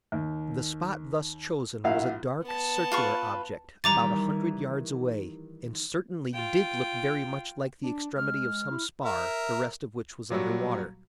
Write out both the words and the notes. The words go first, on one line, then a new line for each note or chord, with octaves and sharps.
The spot thus chosen was a dark, circular object, about a hundred yards away, and certainly did look very much like the extremity of some spar, the rest of which was under water.
D#2
A#1 E4 F#4 F5
B3 A5
F4 B4 C#6
D#3 E3 G3 A#5 D6 A6
F4 G5
D4
G#3 F6
E4
A#4 E5
A#2 F#3 G3 F#4